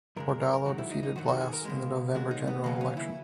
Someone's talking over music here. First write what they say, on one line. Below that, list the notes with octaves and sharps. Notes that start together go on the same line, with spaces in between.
Bordallo defeated Blas in the November general election.
F#2 C#3 G#3 A#4
A#4
A#4
A#4
G#2 D#3 F#3 F#4
E4
D#4
D#4
F#2 D#3 F#3 F#4
F#4
G#4
A#4
C#2 B2 G#3
D#2 C#3 G#3 F#4
D#4
B3
D#2 C#3 F#3 A#3
C#4
E4